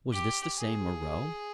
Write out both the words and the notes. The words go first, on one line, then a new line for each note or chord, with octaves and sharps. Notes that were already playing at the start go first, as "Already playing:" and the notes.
Was this the same Moreau?
G4
G#4